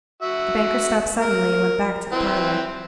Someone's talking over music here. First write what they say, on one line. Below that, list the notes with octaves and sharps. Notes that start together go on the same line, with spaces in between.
The banker stopped suddenly, and went back to the parlour.
F#4 E5
A#4
E3 C4